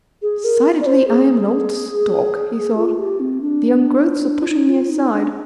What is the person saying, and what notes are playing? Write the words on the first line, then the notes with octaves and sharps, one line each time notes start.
"Decidedly I am an old stalk," he thought, "the young growths are pushing me aside."
G#4
A#4
D5
C5
G#4
F4
G4
C4
D4
F4
D#4
F4
D#4
D4